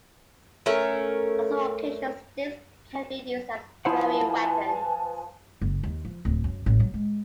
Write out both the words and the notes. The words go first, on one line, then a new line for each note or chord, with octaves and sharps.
On some occasions, sticks can be used as throwing weapons.
A3 C#4 A#4
F3 E4 B4 C5 D#5 F#5 G#5 A5
F#1
D#2
F3
D1
F#2
A1
F#3
G#3